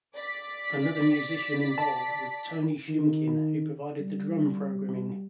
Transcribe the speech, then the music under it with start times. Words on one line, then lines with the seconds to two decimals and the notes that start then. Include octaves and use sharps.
Another musician involved was Tony Shimkin, who provided the drum programming.
0.14 D5 B6
1.78 A5
2.88 D#3
4.00 G3